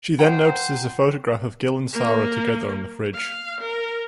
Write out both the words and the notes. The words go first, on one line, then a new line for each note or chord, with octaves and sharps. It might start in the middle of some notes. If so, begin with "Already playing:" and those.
She then notices a photograph of Gil and Sara together on the fridge.
F3 C5 F#5 G5 A#5
A#3
F5
A#4